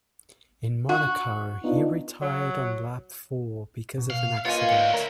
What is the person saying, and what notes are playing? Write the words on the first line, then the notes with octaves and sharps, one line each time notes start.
In Monaco he retired on lap four because of an accident.
F#4
B3 D4 D#4 F4
F#3
B2
F5
A#3 F4 B4 C#5 D#5 G#5
D2
A#4 C#5